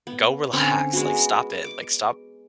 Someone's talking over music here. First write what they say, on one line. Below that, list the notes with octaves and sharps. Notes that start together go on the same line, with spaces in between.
go relax. Like, stop it. Like, stop
B3
D3 C4 C#4 C#6
G#3 B3 F#4
D6